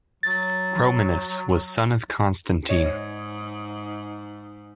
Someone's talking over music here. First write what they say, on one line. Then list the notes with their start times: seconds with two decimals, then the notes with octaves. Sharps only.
Romanus was son of Constantine.
0.23 F#3 A6
2.69 G#2 C#5 D#5